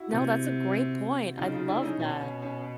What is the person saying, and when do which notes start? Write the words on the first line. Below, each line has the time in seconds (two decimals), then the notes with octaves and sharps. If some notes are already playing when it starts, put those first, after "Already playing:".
No, that's a great point, I love that.
Already playing: E4 F#4
0.10 C3
1.37 C#3 D#4 F4
1.53 D#4 F4
1.68 D4 E4
1.83 C#4 D#4
2.00 B2 C#4
2.21 C#4
2.42 C#4